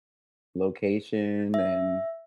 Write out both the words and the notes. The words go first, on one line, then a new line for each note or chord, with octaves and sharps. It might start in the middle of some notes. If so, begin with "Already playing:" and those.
location and
E5